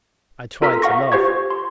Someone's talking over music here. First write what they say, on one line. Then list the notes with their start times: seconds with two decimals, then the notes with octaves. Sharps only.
I tried to laugh.
0.62 F4 A4 A#4 A#5 F6 B6
0.82 F5 F#5 C#6 A#6
1.12 F4 G4 C5 C#6 G#6
1.50 C6